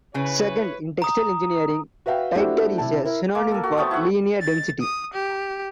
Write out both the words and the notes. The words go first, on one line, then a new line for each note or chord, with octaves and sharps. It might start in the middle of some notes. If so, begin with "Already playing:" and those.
Second, in textile engineering, titer is a synonym for linear density.
C#3 E4 B4 C#5 G#5
A#5 D#6
F#4 B4 E5 F5 G5
A3 D4 E4 F#4 G4 C5
C3 E4 A5
E4 A#4
A#3
A4 A#4
F#4
A3 B3 C4 A4
E4 F#5
A6
D#6
G4